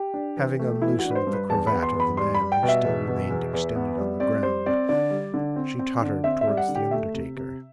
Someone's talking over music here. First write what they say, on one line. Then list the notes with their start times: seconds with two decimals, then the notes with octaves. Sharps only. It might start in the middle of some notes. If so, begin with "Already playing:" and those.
Having unloosened the cravat of the man who still remained extended on the ground, she tottered towards the undertaker.
Already playing: G4
0.14 D4
0.37 E3
0.59 A3
0.82 E3 E4
0.99 F#4
1.05 D4
1.11 B4
1.15 C5
1.27 G2
1.33 B4
1.50 E2 A5
1.67 B3 B5
1.83 C6
1.95 E2
2.00 B5
2.17 G3 C6
2.35 G3 B5
2.52 G5
2.63 B2
2.68 E5
2.85 E2
3.07 B2
3.31 E2
3.53 E2
3.76 B3
3.98 G3
4.20 C4 D5
4.43 G3 C5
4.66 C4 D5
4.89 D3 D5
5.11 G3
5.34 D3
5.56 C4
5.79 C4
6.02 D3
6.24 C4 E5
6.41 E5
6.47 G3
6.57 F#5
6.69 D3
6.75 G4
6.91 A3 E5
7.14 C3
7.37 C3